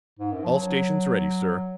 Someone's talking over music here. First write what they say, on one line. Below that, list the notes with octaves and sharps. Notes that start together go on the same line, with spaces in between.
"All stations ready, sir."
G#2
F#2
F3
F#3